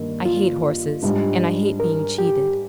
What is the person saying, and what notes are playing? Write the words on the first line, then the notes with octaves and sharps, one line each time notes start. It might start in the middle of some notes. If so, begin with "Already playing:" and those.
"I hate horses, and I hate being cheated."
Already playing: G2 D#3 A#3
F4
G#2 G3 D4
A#4
G4